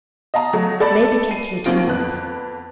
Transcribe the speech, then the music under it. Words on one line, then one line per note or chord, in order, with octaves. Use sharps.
May be kept here two months.
D#5 F5 A5 A#5
F#3 A3
A4 D5 B5 A6
C7 D#7
D#2 F#3 C4 F4 D7
F2 B3 F#6